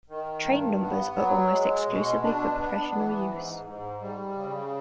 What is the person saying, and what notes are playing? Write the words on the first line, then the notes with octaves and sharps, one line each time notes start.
Train numbers are almost exclusively for professional use.
D#3
G2
B3
F#3
G#3
B2
D4
B3
E3
G#2
G#2
G3
C#3